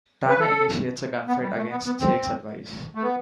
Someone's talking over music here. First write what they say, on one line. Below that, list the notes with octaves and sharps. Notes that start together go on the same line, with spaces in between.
Tanner initiates a gunfight against Jake's advice.
B4
A4
B3
G3
A3
B3
B3
C4
A3
B3